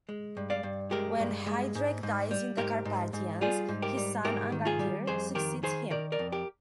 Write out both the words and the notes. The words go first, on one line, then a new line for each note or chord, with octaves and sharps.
When Heidrek dies in the Carpathians, his son, Angantyr, succeeds him.
G#3
G2
D5 F5
G2
G#3 G4 A#4
G2
G#3
G#2
G#2
G3
G#2 G4 A#4
G#2
G#2
G3 F4 G#4
G#2
G4 A#4
G3
G#2 G4 A#4
D#3
F4 G#4
G3
F2 G#4 C5
D#3 G4 A#4
D#3 G#4 C5
D#3 A#4 D5
A#4 D5
F2
G4 A#4